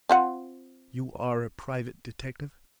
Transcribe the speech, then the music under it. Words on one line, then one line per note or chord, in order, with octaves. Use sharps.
"You are a private detective?"
C4 F4 F#5